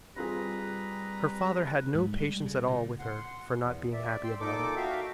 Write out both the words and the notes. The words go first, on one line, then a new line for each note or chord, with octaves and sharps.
Her father had no patience at all with her for not being happy about it.
G3 C4 F4 G#4 B4 A#5
G#2
G3
C#3
A#2
F#5 C6
E2
D5 E5
G5 C6 E6
A#2 D#4 A4 D6
F#4 E5 F5 G5